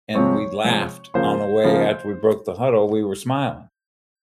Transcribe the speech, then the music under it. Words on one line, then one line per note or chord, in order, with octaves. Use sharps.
and we laughed on the way after we broke the huddle, we were smiling,
C3 F3 G#3 C4 C#5 C#6
C3 F3 G#3 C4
C#3 F3 A#3 C5 C6
C#3 F3 A#3